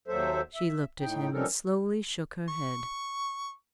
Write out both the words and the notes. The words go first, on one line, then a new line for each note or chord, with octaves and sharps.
She looked at him, and slowly shook her head.
D#2 F#3 A4 C5 E5
E5
A2 D#4 G5
F3 G3 C#4 D#4 A4 A#4
C#6